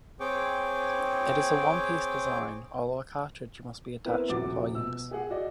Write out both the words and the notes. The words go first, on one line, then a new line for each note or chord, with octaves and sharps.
It is a one-piece design, although a cartridge must be attached before use.
C4 G#4 C#5 G5 D6
B3 C4 E4 A#4 B4
D#1 C3 F3 F#4 D6 A6
B2 E6
G4 G#4 F#5
F#4 D5 D#5